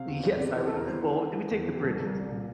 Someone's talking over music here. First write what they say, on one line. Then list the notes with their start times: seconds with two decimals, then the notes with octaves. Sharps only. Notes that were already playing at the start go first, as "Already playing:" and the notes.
Yes, I would Well, do we take the bridges?
Already playing: C3 F5
0.08 E2
0.24 E2
0.40 C3 D5
0.56 E3
0.67 A4
0.72 E2 A#4
0.88 E3 C5
1.04 E3
1.19 E3
1.36 E3
1.51 E2
1.67 E3
1.76 G4
1.83 C2 A4
1.95 A4
2.00 C2
2.07 A#4
2.15 C2
2.20 D5
2.31 A#2